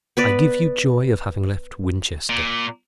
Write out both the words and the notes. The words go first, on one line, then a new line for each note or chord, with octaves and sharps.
I give you joy of having left Winchester.
B3 B4 D5
A#2